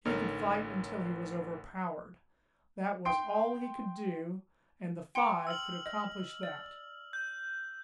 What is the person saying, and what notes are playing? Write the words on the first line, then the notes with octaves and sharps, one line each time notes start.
He could fight until he was overpowered, that was all he could do, and the five could accomplish that.
A1 D3 D#4 A#4 C#5 F6
G5 C6 D7
G5 C6 C#7
E6 F6 F#7
D#5
D5
G6